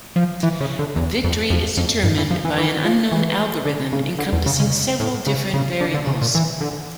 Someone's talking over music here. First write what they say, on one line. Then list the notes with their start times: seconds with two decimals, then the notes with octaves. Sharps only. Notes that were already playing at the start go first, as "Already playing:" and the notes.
Victory is determined by an unknown algorithm encompassing several different variables.
0.16 F3
0.43 E3
0.60 C#3
0.79 D3
0.96 E2
1.24 F2
1.50 F2
1.77 F2
2.04 G2
2.18 E3
2.31 F3
2.45 E3
2.58 E3
2.85 F3
3.12 E3
3.65 D3
3.93 C#3
4.19 D3
4.33 E2
4.46 C#3
4.60 C#3
5.00 A2
5.27 C#3
5.54 C#3
5.81 D3
5.94 D3
6.07 C#3
6.21 A#2
6.35 E3
6.61 D3